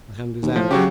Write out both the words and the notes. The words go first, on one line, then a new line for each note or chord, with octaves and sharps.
The hand is out.
D#2
A2 F3
C#3 F#3 F#4 G4